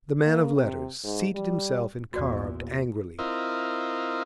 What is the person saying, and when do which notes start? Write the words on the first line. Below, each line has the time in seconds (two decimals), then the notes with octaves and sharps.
The man of letters seated himself and carved angrily.
0.25 A#3
0.55 C3
1.04 G#2
1.35 G3
2.14 A#1 E2 A#2 F#4 D5
3.19 C4 E4 F4 A#4 D#5